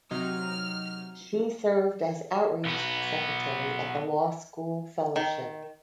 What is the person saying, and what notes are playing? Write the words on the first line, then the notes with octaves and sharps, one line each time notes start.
She served as Outreach Secretary at the Law School Fellowship.
C3 F#3 D#4 F6
B1 B3
D#3